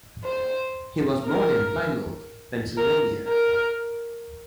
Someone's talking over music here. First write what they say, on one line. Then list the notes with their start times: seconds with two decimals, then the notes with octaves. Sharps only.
He was born in Plymouth, Pennsylvania.
0.24 C5
1.26 A#4
2.77 A#4
3.28 A#4